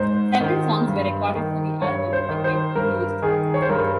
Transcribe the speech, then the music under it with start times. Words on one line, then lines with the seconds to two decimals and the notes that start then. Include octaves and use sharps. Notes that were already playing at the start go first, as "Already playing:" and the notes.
Several songs were recorded for the album that went unused.
Already playing: G#2 C5
0.41 D#3
0.87 G2
1.35 D#3
1.81 G2 C#5
2.13 C5
2.29 D#3
2.44 C5
2.75 G2 A#4
3.22 D#3 G#4
3.54 C#5
3.62 C5
3.69 G2 A#4